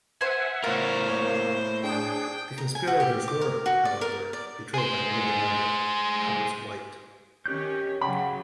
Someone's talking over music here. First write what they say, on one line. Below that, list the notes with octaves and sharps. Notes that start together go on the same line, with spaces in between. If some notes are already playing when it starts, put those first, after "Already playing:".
The conspirators were, however, betrayed by one of their number, Thomas Whyte.
C5 E5 F#5 G#5
A2 F4 A#4 C5 C#5
A#3 C#5
D4 G#4 G5
A#5
G#5
F#4
G4
D6
A#4
F#4
D5
A#4
D5
G#4 C5
D#3 C#4 G4 C#5 F#6 G6
C#3 F#3 F#5 G5 B5 D6